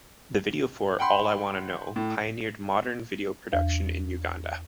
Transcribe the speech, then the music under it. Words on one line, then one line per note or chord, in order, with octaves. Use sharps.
The video for "All I Wanna Know" pioneered modern video production in Uganda.
F#5 G5 B5 C6
A2
E2